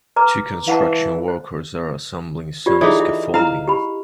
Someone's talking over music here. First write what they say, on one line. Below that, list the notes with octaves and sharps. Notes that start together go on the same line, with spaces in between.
Two construction workers are assembling some scaffolding.
B4 A#5 D6
E3 F5 F#5 A5
C5
F4 G4 D5
E3 D#4 G#4 A4 D5
E5
E4 F5 A#5
G4 B5